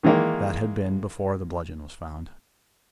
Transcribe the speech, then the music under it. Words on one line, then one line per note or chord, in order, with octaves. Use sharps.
That had been before the bludgeon was found.
D#3 E3 G#3 A#3 D#4